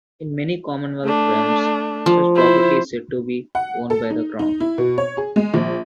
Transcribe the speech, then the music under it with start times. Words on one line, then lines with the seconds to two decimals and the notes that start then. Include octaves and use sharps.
In many Commonwealth realms, such property is said to be owned by the Crown.
1.04 A3 D4
2.06 F3
2.36 E4 C5
3.55 F#5
3.90 A4
4.10 D#4
4.39 D#4
4.60 E4
4.78 B2
4.98 C#5
5.17 G#4
5.36 G#3
5.54 A#1